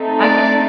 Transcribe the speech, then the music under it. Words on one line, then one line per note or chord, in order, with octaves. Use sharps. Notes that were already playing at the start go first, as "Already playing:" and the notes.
I guess
Already playing: A3 C4 D#4 A4
D5